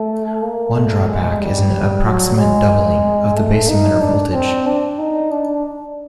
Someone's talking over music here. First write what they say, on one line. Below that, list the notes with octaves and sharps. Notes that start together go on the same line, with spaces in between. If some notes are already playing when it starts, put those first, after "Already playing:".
One drawback is an approximate doubling of the base-emitter voltage.
Already playing: A3
A#3
A3
G#3
G3
F#3
G#3
A3
D#4
D4
C4
D4
D#4
D4